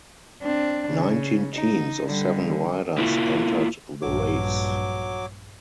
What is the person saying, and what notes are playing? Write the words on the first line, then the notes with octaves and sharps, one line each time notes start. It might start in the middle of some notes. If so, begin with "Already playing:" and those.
Nineteen teams of seven riders entered the race.
C4 D4
C#3
D#4
D3 G3
A#3 E4 F4
A#1 G2 F#3 D6